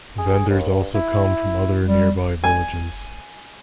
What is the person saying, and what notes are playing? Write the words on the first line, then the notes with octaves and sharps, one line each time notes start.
Vendors also come from other nearby villages.
G#4
D#2
G2
E4
G3
G#5